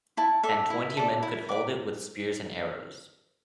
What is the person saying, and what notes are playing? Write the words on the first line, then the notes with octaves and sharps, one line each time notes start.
And twenty men could hold it with spears and arrows.
E4 A5
A4 D5 E5
E4
A4 D5
E4
B4 D5 D6